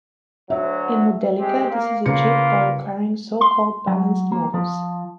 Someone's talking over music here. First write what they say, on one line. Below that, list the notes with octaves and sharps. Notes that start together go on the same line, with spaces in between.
In Modelica, this is achieved by requiring so called balanced models.
D2 F#3 E5
G#3 C4 G4
A#3
C#3 A#3 F4 B4 C#7
C6
F#3
A#3
F3